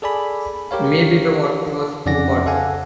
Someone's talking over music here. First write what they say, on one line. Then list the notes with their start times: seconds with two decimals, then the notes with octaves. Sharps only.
Maybe the water was too hot.
0.02 G#4 A4 D5 G#5 B5
0.71 G4 A#4 C#5 F5
2.06 F2 C#3 C#4 D5 F#5 A#6
2.46 A4 F5 F#5 G#5